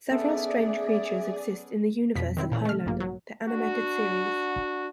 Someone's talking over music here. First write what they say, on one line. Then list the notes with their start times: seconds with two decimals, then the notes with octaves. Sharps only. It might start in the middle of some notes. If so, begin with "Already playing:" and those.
Several strange creatures exist in the universe of "Highlander: The Animated Series".
0.11 B3 C#4 G#4 A4 D5 E5
2.16 F2 B2 B6
2.37 D#3 C4 E4
2.52 A#2 C#3 E3
2.65 A3 F6
2.86 B1 G#2 A#3
3.00 F#3
3.48 D4 F#4